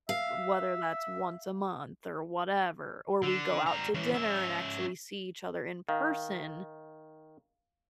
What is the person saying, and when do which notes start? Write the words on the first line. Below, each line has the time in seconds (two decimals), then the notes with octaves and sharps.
w whether that's once a month, or whatever, or we go out to dinner and actually see each other in person
0.09 E5 F5
3.23 D3
3.67 G3 A#5
3.94 E3 C#4
4.14 C#4 E5
5.89 D#3 F5